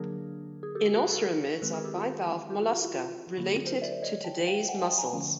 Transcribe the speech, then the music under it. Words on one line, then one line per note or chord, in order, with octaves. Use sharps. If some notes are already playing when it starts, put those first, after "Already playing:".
Inoceramids are bivalve Mollusca related to today's mussels.
Already playing: D3 F#3 A#3 D4 G#4 A#4
G#4
G4 A4
F#4 G#4
A4
G#4 A#4
D#3 G#3 C4 A4 B4
G#4 A#4
G4 A4
F4 G4
F4 G4
E4 F#4
F4
E4
F4
D3 F#3 A#3 E4 F#4
G#4
F4 G4
A#4 C5
D5 E5
C#5 D#5
G5 A5
F5 G5
F#5 G#5
G5 A5
G#5 A#5
D3 F3 A3 C#4